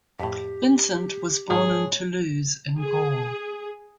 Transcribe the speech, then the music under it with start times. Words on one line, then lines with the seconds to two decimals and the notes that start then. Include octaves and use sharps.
Vincent was born in Toulouse in Gaul.
0.20 F2 A2 G4
1.50 G#2 D#3 G#3 G#4 C#5
2.79 G#4